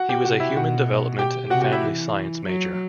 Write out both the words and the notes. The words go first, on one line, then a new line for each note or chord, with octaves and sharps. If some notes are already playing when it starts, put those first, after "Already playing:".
He was a human development and family science major.
Already playing: F#4 F#5
G4 G5
C3 F#4 F#5
E4 E5
B2 F#4 F#5
G4 G5
C3 F#4 F#5
F#4 F#5
E4 E5
E3
F#3